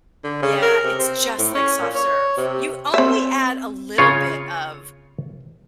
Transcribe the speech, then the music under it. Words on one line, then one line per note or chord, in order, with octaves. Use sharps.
yeah, it's just like soft serve. You only add a little bit of,
D3
C#3
A#4
C3
C4
A2
C#4
A#2
C#5
C3
C4 E5
C#3 F4 C#5